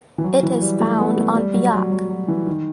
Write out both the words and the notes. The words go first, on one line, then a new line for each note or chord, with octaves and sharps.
It is found on Biak.
E3
F#3
E3
G3
A3
B3
A3
G3
F#3
F#3
F#3
F#3
E3
D#3